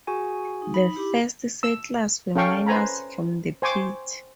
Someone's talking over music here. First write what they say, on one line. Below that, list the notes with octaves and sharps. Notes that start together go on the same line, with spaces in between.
The first settlers were miners from the pit.
F#4 G#4 G#5
D#4
B5
E4 G4 D6
E6
C#4 A4 F5 G5 C#6
B4 C5 G#5 A#5 B5
C5 G#5 C#6 D6